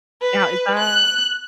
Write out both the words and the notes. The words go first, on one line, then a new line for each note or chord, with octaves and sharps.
Now, is that
B4
F#6